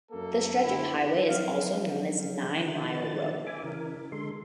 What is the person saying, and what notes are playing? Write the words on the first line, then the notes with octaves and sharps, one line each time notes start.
This stretch of highway is also known as Nine Mile Road.
F#2 A#3 A4
D3 F3 E4
F3 F#3 C4 F5
D#3 F3 A6
E5 G#5 D6
C#3 E3 A#4
D3 G#3 A4 C6